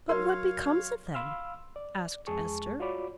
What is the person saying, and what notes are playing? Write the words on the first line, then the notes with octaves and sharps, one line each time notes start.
"But what becomes of them?" asked Esther.
F#3 A#4 C#5 F5 C6
F5 B5 C6 E6 F6
D5
F2 G#3 G#4 A5 C#6
F4 F#4 C#5 D5 B5 D6